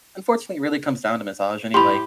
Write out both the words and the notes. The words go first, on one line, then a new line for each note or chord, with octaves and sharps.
unfortunately really comes down to misogyny. Like,
A2 G4 B5 C6